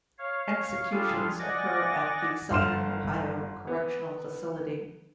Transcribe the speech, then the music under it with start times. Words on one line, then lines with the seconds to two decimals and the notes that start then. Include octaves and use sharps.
Executions occur at the Southern Ohio Correctional Facility.
0.18 C#5 F5
0.91 G3 D4 F4 G#4 A4 F5
1.39 D5 D#5 F#5 G#5 D6 A#6
2.51 G1 F#5 C6 F6 E7
3.67 B3